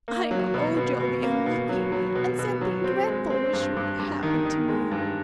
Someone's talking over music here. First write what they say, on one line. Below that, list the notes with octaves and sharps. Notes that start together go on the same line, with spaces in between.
"I'm Ojo the Unlucky, and something dreadful was sure to happen to me."
A#3
F#3
B2
B2
B2
A#3
B2
F#3
F#3
B2
B2
F#3
C4
G#3
C4
G2
G2
G2
D#3
D#3
G#3
G2